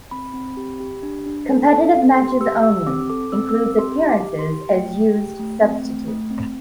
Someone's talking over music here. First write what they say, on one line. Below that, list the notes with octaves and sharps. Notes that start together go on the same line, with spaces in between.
Competitive matches only, includes appearances as used substitute.
C4 B5
C4
G4
G4
D4
D4
A4
A4
C4
G4 C6
G4 E6
G4 E6
C4 D6
A4 D6
C4 E6
E6
C4 D6
G4 C6
G4
D6
G4
C6
G4
A3 G5
A3
G4
A3
C4
A3
A3
C4